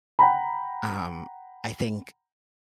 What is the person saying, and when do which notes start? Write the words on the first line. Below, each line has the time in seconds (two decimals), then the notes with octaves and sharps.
um, I think
0.19 F#5 G5 A#5 B5